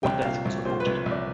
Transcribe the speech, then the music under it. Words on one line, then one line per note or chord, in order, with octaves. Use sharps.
One death was reported.
C2 G5
A#2 F5
C2
A#2 C5
B4
C2
C2
D5